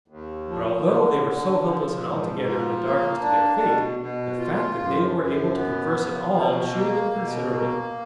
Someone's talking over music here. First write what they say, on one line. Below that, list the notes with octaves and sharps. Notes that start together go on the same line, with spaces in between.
But although they were so helpless and altogether in the dark as to their fate, the fact that they were able to converse at all cheered them, considerably.
D#2
F3
D3
D3
F3
G#2
F3
A#3
D4
B2
B2
F4
F#2
F#2
B3
F3
B2
A#3
B2
A#3